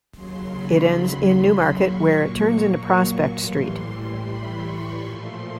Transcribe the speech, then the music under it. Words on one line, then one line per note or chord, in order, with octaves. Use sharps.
It ends in Newmarket where it turns into Prospect Street.
D#2 C#3 F#3 C6
B5
C6
A#2 F#3 A#3 C#6
C#6
A2 E3 G3 C6
C6
B5
C#6
A#2 F3 A3 C6